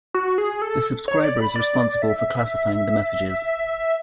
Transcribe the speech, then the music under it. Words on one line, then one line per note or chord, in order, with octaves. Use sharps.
The subscriber is responsible for classifying the messages.
F#4
G#4
A4
C#5
D5
B5
D5
E5